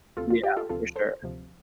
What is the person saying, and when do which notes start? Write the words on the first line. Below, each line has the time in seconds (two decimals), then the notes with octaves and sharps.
Yeah, for sure.
0.17 D2 C3 F3 F4 A4
0.30 F4
0.43 G4
0.57 F4 A4
0.69 D2 C3 F3 F4 A4
0.96 A4 C5
1.23 D2 C3 F3